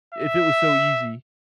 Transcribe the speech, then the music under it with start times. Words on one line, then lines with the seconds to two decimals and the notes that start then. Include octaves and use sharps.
if it was so easy,
0.14 E5